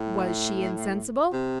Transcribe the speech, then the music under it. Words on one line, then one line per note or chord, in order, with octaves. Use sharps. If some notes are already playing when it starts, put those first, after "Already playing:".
"Was she insensible?"
Already playing: A2
C3